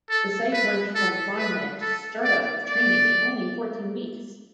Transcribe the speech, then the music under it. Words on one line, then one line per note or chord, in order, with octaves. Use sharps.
The site went from farmland to start-up of training in only fourteen weeks.
A4
B4
A4
B4
A4
D5
D5